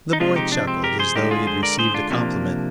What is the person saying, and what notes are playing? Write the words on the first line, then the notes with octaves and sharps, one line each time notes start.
The boy chuckled as though he had received a compliment.
D#4
C3 F3 G#3 D4 F4
D#4 G4
D4
C4
G4 A#4
G#4 C5
D3 G#3 D#4 G4
F4 G#4
G#4 C5
A#4 D5
G#4 C5
D4 F4
C3 F3 A#3 D4